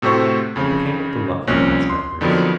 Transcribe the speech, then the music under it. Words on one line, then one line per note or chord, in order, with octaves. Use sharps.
What became of the lucky prospectors?
A2 C3 A3 F#4 C5 C#6
F2 C#3
C2 F3 A#3 C#4 F#6 A#6
C6
F2 D3 D#3 F3 F#3 B3